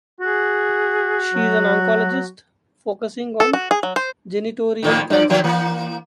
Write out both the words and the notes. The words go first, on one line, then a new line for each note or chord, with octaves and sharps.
She is an oncologist focusing on genitourinary cancers.
F#4 G#4
F#3
A4
F#4
G#4
F#3
C5
F2 A2 D#3
G2 D5
D#3 F3 A#3
E3 A#3